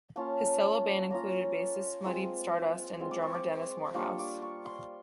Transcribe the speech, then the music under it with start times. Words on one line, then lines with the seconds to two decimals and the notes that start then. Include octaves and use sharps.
His solo band included bassist Muddy Stardust and drummer Dennis Morehouse.
0.16 A#3 C#4 F4 A5
1.10 A#3 C#4 F4 A#5
2.05 G#3 C4 F4
3.00 G#3 C4 F4
3.11 D6
3.23 C#6
3.35 D6
3.94 G3 A#3 D4 F4 C#6
4.19 D6
4.42 C#6
4.65 C6